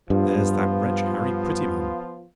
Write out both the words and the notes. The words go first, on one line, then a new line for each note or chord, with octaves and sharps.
There's that wretch Harry Prettyman.
G2 F3 B3 F4